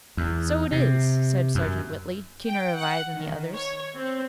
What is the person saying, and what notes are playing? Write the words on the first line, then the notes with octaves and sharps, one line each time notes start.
"So it is," said Sergeant Whitley, keener of eye than the others.
E2
C3
F#2
G5
F#5
D#3
C#5
C4